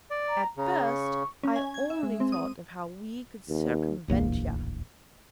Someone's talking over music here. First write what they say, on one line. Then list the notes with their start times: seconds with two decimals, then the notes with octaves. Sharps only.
At first, I only thought of how we could circumvent yah.
0.10 D5
0.28 A#5
0.57 C#3 A#5
0.86 C#6
1.43 C#4
1.56 G#5
1.74 G#6
1.90 E5
2.03 G#3
2.20 C4
2.32 D#6
3.49 D#2
4.08 D1 A#1 E2 A#3